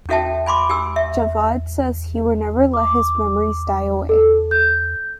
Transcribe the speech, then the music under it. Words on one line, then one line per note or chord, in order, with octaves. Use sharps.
Javad says he will never let his memories die away.
C#4 F#4 A4 E5 G5 A5
G#5 B5 C6 D6
G4 G#5 E6
E5
D6
A4
G6